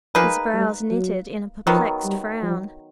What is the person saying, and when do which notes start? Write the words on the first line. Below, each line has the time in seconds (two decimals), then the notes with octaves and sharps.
His brows knitted in a perplexed frown.
0.15 F3 A#3 D#4 G#4 B4
0.54 G3
0.91 F#3
1.67 D#3 F3 F#3 B3
2.04 G3
2.43 F3